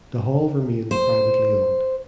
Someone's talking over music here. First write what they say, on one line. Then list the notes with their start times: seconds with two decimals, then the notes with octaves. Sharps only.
The hall remains privately owned.
0.91 C5